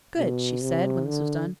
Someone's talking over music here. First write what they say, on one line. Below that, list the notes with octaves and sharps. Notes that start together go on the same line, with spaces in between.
"Good!" she said, when this was done.
B2
C3
D3